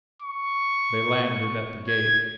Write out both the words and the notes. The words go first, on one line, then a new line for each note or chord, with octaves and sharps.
They landed at the gate.
C#6
G#6